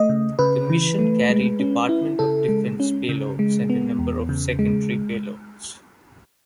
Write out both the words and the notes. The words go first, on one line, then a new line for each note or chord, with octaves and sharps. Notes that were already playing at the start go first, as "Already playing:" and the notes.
The mission carried Department of Defense payloads and a number of secondary payloads.
Already playing: A3 D#5
C#3
C#3 B4
E3
A3
G#3
C#4
E4
C#3 A4
G#3
C#4
C#3
G#3
B3
E2
C#3
G#3